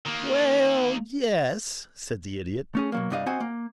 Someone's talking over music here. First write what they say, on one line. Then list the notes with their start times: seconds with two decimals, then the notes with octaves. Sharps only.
"Well--yes," said the Idiot.
0.06 D#3 A#3
2.75 A3 C#4 G#4
2.92 B2 F#3 A#3
3.10 C2 G2 G3 D4 D#5 F5
3.26 C4 F#4 C5 D#5 F#5 G#5
3.40 A#3